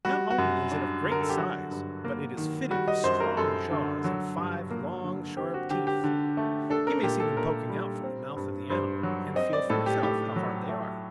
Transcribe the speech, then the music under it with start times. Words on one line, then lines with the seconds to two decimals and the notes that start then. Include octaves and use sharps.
Not only is it of great size, but it is fitted with strong jaws and five long, sharp teeth, You may see them poking out from the mouth of the animal, and feel for yourself how hard they are.
0.05 G3 F#4
0.30 F#4
0.38 F#2
0.71 D4
1.04 D3
1.11 A#4
1.21 A4
1.29 G4
1.37 F#3 F#4
1.71 G2
2.05 A#3
2.37 D#3
2.71 G3 F#4
2.88 D#5
3.04 F#2 C5
3.20 A#4
3.37 F#2 A4
3.71 D3
4.04 F#3
4.37 G2
4.71 A#3
5.04 D3
5.37 C4 G4
5.54 F#4
5.70 D3 G4
5.87 G4
6.04 D3
6.37 A3
6.70 D4 A4
6.87 A#4
7.03 A#2 G4
7.20 A4
7.36 A#2 A#4
7.69 G3
8.04 C4
8.36 G2
8.70 G2 C5
9.03 F#3
9.36 C4 D#5
9.53 D5
9.70 A2 A4
9.86 G4
10.03 A2 G4
10.36 F#3
10.69 A3